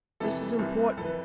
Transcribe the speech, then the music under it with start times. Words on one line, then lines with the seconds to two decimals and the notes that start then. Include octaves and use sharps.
This is important.
0.20 F2 C3 E3 A4
0.59 C2 C3 E3
0.97 F2 A4
1.01 E3 B4